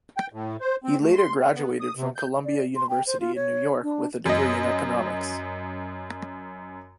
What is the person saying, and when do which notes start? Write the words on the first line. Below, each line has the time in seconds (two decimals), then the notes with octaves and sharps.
He later graduated from Columbia University in New York with a degree in economics.
0.17 G5
0.33 A2
0.61 C5
0.84 C4
1.01 A3
1.15 C6
1.39 C4
1.55 B3
1.81 D#6
1.97 C3
2.16 G6
2.44 D5
2.76 C6
2.89 G5
3.07 C5
3.20 F4
3.36 C#5
3.83 D4
4.26 F#2 D#5